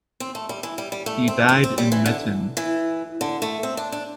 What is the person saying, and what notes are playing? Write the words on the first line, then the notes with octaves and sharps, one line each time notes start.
He died in Metten.
C4
A3
G3
E3
G3
G3
A3
C4
C4
C4
G3
E3
D3
E3
D3
A3
C4
D4
D4